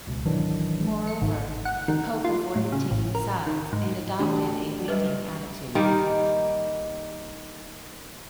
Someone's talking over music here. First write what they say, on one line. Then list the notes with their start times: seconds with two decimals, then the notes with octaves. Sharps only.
Moreover, the pope avoided taking sides and adopted a waiting attitude.
0.07 C#2 B2
0.25 G#1 D#3 E3 F#3 D4
1.07 C#7
1.22 G#1
1.65 F#5
1.88 D#3
2.25 F4
2.55 A2
2.72 C#3
2.91 A1
3.15 A#4
3.47 D#3
3.73 G#2
4.19 E3 A3 D4 F#4 G4
4.88 F#3 G3 B4
5.75 D#3 G3 A#3